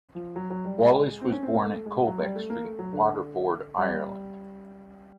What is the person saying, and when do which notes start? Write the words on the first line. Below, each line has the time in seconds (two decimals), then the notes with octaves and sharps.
Wallace was born at Colbeck Street, Waterford, Ireland.
0.15 F3
0.36 F#3
0.50 F#3
0.65 G3
0.79 G#3
1.21 C4
1.32 C#4
1.43 C4
1.54 A#3
1.65 A3
1.86 G#3
2.07 F#3
2.22 G3
2.35 A3
2.50 A#3
2.64 A3
2.79 F#3
2.93 D3
3.78 G3